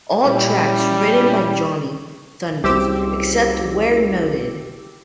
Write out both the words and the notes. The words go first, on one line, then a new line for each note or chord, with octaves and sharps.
All tracks written by Johnny Thunders, except where noted.
A#2 G3 C#4 E4
F#1 C2 E4 G4 C5 D6 E6